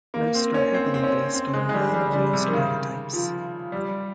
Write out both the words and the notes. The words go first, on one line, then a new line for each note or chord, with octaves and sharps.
Most are heavily based on well-used archetypes.
A#3
C4
C#4
C4
C4
C#4
C4
G#3
G#3
G3
G3
G3
C3
D#3
C#3
F3
G3